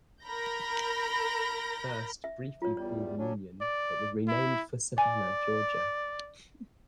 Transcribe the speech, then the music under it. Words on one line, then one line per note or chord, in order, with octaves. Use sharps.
First briefly called Union, it was renamed for Savannah, Georgia.
A#4 B5 G6 A#6
E5
F#3 F4 C#5
E2 G3 C#5
F#3 C#4 D4
D5
E4
D5 G#5